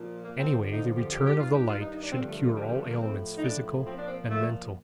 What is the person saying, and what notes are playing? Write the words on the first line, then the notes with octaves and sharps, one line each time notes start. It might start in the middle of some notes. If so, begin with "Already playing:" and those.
Anyway the return of the light should cure all ailments physical and mental.
Already playing: A#2 F3
A#3
F2 D3 F3 C4
D#4
D4
G4
G4
G2 D#3 G4
F4
G4
F4
D#4
D#4
D4
G2 D3 F3 C4
A3
A3
G3
G3
A3
A#3
A2 F3 C4
D#4
D4
A#2 F3 C4
D4
C4
A3